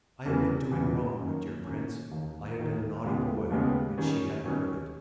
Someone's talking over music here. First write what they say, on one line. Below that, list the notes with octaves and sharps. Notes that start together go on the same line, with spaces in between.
I had been doing wrong, my dear Prince--I had been a naughty boy, and she had heard of it.
E2 C#3 E3 G3
E2 C#3 E3 G3
D#3 A#3 C#4
D#3 A#3 C#4
D#2 D#3 A#3
D#2 D#3 A#3
D#2 C#3 G#3 B3 G4
D#2 C#3 G#3 B3 G4
D#3 G3 C#4
D#3 G3 C#4